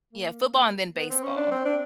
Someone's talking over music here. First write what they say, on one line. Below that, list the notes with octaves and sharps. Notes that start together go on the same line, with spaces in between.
yeah, football and then baseball.
A#3
B3
C4
C#4
D4
C4
D4